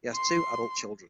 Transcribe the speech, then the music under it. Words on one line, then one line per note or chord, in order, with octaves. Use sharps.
He has two adult children.
C6